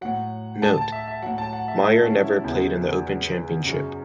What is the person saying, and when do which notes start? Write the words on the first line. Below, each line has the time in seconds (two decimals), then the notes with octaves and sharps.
Note: Mayer never played in The Open Championship.
0.01 A2 F#3 F#5
0.62 A5
0.78 A5
0.92 E5
1.07 E5
1.22 A2 F#3 F#5
1.38 A5
1.53 F#5
1.68 E5
1.83 E4
2.04 C#4
2.23 E4
2.44 E2 C#3 F#3 E4
3.65 F#2 C#3 F#3